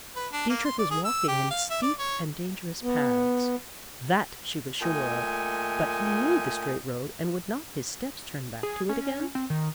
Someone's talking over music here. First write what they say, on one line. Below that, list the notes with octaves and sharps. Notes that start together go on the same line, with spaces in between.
Dietrich was walking in steep and dangerous paths; that she was sure of, but he knew the straight road and would not his steps turn back to it again?
B4
D4
A#3
C6
D5
G#4
E6
G4
F5
E5
D5
C#5
B3
A#2 A3 D#5 G5 G#5
G#4
C#4
C4
D#3